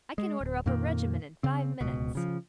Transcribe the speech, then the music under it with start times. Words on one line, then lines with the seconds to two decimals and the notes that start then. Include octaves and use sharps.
'I can order up a regiment in five minutes.'
0.18 G#3
0.41 D1
0.66 F2 A#2 D#3 A#3
1.43 C#3 C4
1.81 D1 C#2 B2
2.15 C#3 F3